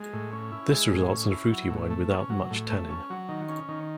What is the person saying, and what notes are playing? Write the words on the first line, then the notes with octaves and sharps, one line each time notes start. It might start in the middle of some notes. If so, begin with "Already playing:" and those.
This results in a fruity wine without much tannin.
Already playing: G#3
A2
C#4
E4
G#3
A2
C#4
E4
F#3
A2
A3
C#4
F#3
A2
A3
C#4
F#3
D#3
C#4
D#3